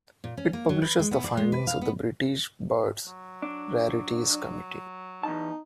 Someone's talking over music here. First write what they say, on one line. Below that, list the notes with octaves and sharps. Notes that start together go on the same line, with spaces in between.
It publishes the findings of the British Birds Rarities Committee.
A#2
C#4
A#3
F#3
B4
G#3
B3
D5
G#3
B4
F5
B3
F#3
D4
E2 D#4 A5